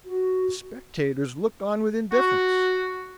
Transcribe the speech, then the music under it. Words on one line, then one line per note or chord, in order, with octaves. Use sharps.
The spectators looked on with indifference.
F#4
F#4